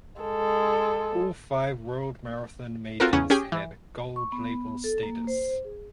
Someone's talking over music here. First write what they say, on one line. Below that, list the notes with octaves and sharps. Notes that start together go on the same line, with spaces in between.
All five World Marathon Majors had Gold Label status.
G#3 A4
C4 F4 F#4 A4 A#4
E2 C#3 C#4 F#5
C#4 G4 G#4 G5 G#5
E3
C#6
B3
A4
A#3
C5
G#4